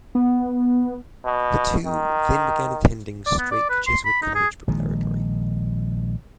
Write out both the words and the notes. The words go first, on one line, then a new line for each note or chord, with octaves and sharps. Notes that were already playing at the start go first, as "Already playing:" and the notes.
The two then began attending Strake Jesuit College Preparatory.
B3
B2
D#3
D5
B3
D5
B4
C6
B5
D#4
G#4
A#1 D#3 G#3